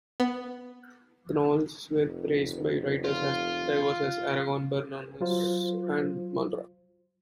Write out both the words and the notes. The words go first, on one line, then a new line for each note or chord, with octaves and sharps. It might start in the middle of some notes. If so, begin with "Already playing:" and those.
The novels were praised by writers as diverse as Aragon, Bernanos, and Malraux.
B3
F1
F4
F#3 F4 C5